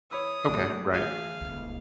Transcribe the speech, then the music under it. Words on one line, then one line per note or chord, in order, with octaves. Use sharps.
Okay. Right.
E3 C#5 B5 D#6 E6
F#3 A3 A#3 D4
D3 E3 G#4 F5
D#1 C#2